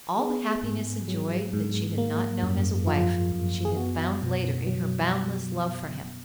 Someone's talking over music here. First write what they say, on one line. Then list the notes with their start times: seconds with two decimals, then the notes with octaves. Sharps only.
All the happiness and joy that she had not known as a wife, she had found later in her boundless love for him.
0.19 B3 G#4
0.63 G#2
1.08 F#3
1.53 G#2
1.98 A#3
2.43 F#2
2.87 F3 F4
3.32 F#2
3.65 G#4
3.76 B3 F#4
4.22 B2
4.67 F#3